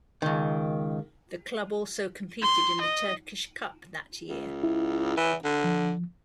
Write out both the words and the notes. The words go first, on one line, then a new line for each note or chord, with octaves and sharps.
The club also competed in the Turkish Cup that year.
C#2 D#3
C6
D#5
C#2
E4
E3
D3
F3